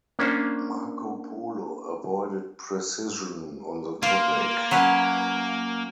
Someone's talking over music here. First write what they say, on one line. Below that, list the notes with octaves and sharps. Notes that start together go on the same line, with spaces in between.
Marco Polo avoided precision on the topic.
A#3 C#4 D4 C5
A#3 F4
F#3 C#4 B4